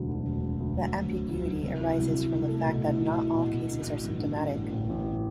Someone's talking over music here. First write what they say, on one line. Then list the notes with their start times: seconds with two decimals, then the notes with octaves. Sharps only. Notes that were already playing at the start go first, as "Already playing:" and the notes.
The ambiguity arises from the fact that not all cases are symptomatic.
Already playing: E1 D2 F#3
0.09 D3
0.26 E1
0.43 E1
0.60 D2
0.77 F#3
0.95 E1
1.12 D2
1.28 D2
1.46 F#3
1.63 C2
1.80 E4
1.98 C2
2.15 E4
2.32 C2
2.49 A3
2.67 B2
2.83 E4
3.00 B2
3.17 E4
3.35 B2
3.52 B2
3.69 D3
3.86 A1
4.04 G2
4.20 D3
4.37 D3
4.55 A1
4.72 A1
4.89 A1